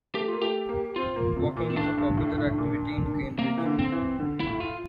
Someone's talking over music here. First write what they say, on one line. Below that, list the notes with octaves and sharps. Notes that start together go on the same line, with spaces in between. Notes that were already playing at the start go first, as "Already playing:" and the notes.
Walking is a popular activity in Cambridge.
A3 G4
A#3 F4
A3 G4
A#3
C4 F4
A#3
C3
A#2
C4
A2 D4
G2
A2
A2
A#2
C3 A#3
E3
D3
C4
E3
D3
E4
A2
F4